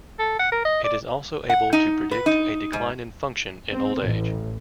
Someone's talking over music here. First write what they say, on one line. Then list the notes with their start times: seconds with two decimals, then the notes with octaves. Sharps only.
It is also able to predict a decline in function in old age.
0.19 A4
0.39 F#5
0.52 A#4
0.65 D#5
0.84 D5
1.50 F#5
1.73 D#4
2.11 B4
2.26 D#4
2.73 G#2
3.72 C4
4.03 A1